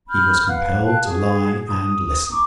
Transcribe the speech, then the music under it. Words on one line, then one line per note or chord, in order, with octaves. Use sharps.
He was compelled to lie and listen.
B5 F6 G6
B4 F5 F#5 F#6
F5 G5 A5 F#6
F#4 G#4
D#6
A#5 C#6 D6